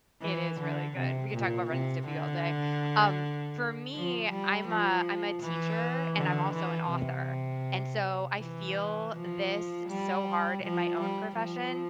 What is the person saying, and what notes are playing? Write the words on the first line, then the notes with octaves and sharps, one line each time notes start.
It is really good, we could talk about Ren and Stimpy all day, um, for me, I'm a I'm a teacher and I'm also an author and, so, I feel this so hard in my own profession
E3
D3
C3
A#2
C3
D3
F3
G3
F3
E3
D3
E3
C3
E3
F3
G3
F3
G3
F3